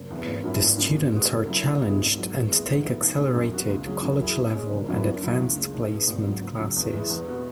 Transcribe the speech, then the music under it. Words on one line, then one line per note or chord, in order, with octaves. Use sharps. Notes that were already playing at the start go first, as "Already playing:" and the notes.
The students are challenged and take accelerated, college-level, and Advanced Placement classes.
Already playing: F#1
E2 E3 B3
G#1
F#2 F#3 C#4 E4
G#1
F#2 C#3
B2
G#3 B3 F#4
F#1
F#2 F#3 E4
C#2
B2 B3 E4 G#4
G#1
G#2 F#3
E2
E3 G#3 B3
G#2
E3 B3
B1
B2 G#3 C#4
F#2
F#3 B3 F#4
C#2
C#3 F#3 C#4 G#4
F#2
F#3 E4 G#4
B2
G#3 C#4
F#1
F#2 F#3 B3 E4
F#2
C#3 F#3 E4
C#2
C#3 G#3
B1
B2 B3 G#4
G#1
G#2 F#3
C#2
C#3 F#3
E2
E3 G#3 E4
E2
B2 B3 F#4